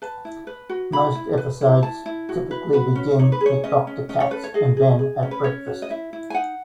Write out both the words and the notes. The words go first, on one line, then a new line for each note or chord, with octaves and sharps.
Most episodes typically begin with Doctor Katz and Ben at breakfast.
B4 A5
E4
B4
F#4
E4 B5
E4
B4
E4
E4 A5
E4
F#4
B4
F#4 B4
C#4
D#4 C#5
B4
G#4
C#5
C#4 D#5
C#4
C#4 D#5
C#5
A4 B4
C#5
G#4 D#5
G#4
G#4
C#4
B4
C#4 C#5
F#4
D#5
E4 E5
E4
G#5
D#4 F#5